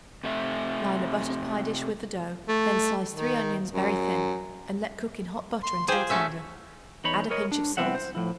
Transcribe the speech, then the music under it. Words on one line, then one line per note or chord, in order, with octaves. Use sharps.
Line a buttered pie-dish with the dough; then slice three onions very thin and let cook in hot butter until tender; add a pinch of salt.
C3 A3 E5
A3
D#3
F#2
C6
F3 G#4 C5 G5 D6
A3 C#4 F#4 E5
E2 D#4 C#5 B5
A#4 C#5 D#5
D4
C2 C#3 B3 C4 E5 F#5
C5
A2 F3 E4